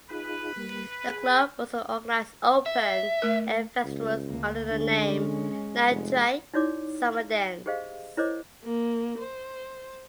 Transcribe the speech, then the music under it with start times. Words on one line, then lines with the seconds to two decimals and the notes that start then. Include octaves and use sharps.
The club also organized open air festivals under the name "Natraj Summer Dance".
0.10 D#4 F4 G#4 B4
0.56 G3 A#3
1.07 G#4
2.66 E5
3.22 A3 A#4
3.85 C#2
4.29 D2 A#3
4.71 D3 G#3 C#4
5.89 F1 G#3
6.54 D#4 E4 F#4 C#5 D5 D6
7.66 G4 G#4 C5 D#5 F5
8.17 E4 A#4 C5 C#5 D#5 D6
8.64 A#3
9.19 C5